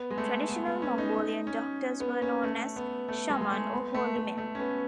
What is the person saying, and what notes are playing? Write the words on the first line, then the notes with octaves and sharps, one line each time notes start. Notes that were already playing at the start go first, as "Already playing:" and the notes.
Traditional Mongolian doctors were known as shaman, or holy men.
Already playing: B3
G#3
A3
B3
B3
C#4
D#4
D#4
C#4
B3
C#4
A3
B3
A3
G#3
G#3
A3
B3
A3
A3
A3
C#4
B3